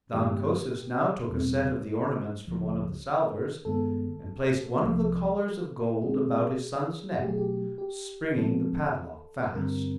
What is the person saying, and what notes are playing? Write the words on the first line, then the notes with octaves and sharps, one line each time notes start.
Than Kosis now took a set of the ornaments from one of the salvers and placed one of the collars of gold about his son's neck, springing the padlock fast.
G2 D#3 G#3 B3 G4
E2 B2 G3 C4
C#2 C#3 F3
G2 D#3 G#3 B3 A4
C2 C3 F3
B2 G#3 C4 G#4
B2 F#3 A3 G4
G#4
G4
G4
A2 F3 G#3 C4 A4
G2 D3 G3 C4 A#4